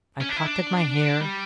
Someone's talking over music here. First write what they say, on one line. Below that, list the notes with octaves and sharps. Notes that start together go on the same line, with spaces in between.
I plucked at my hair.
C#4
D4
E4
D4
G3